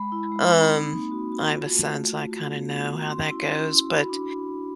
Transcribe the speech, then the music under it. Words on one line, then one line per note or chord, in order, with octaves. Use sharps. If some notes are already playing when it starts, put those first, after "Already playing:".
um, I have a son, so I kinda know how that goes, but,
Already playing: G#3 B5
E4
G#3
C4
D#4
A#3
F#4
F#4
F4
A3
A3
F4
F#4
B3
F#4
F#4
C#4 C6
E4
C#4 C6
E4
F#4 B5
D4